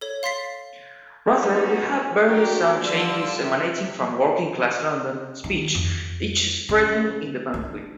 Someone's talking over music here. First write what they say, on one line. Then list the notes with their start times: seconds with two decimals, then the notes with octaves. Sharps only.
Rather, we have various sound changes emanating from working-class London speech, each spreading independently.
0.01 A4 C#5
0.23 F5 C6 A6 B6 C7
1.33 B3 C#4 D#4 F#4
2.23 A#3 D4 F#4 G4 A#4
2.79 D3 F3 G3 F4 E6
3.40 C3 E5
5.44 D#3
5.75 F2
6.69 C#3
7.54 D4